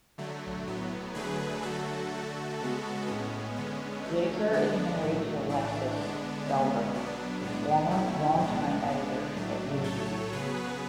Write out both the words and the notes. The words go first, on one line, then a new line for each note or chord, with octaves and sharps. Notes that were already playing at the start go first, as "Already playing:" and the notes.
Whitaker is married to Alexis Gelber, a former long-time editor at "Newsweek".
D3 F#3 A3
A2 F#3 B3
D3 F#3 A3 G#4 B4
D3 F#3 A3 F#4 A4
D3 A3
C#3 G#3 B3
A2 G#3 B3 C#4
D3 G#3 B3
D3 F#3 A3
D3 G#3 B3 D4
A2 F#3 A3
A2 E3 A3 D4
D3 G#3 B3
D3 G#3 B3 C#4
B2 F#3 B3 D4
A2 G#3 B3
B2 A3 C#4 E4
A2 G#3 B3 D4
D3 G#3 B3
A2 F#3 A3
A2 F#3 A3 A4 C#5
C#3 F#3 B3 G#4 B4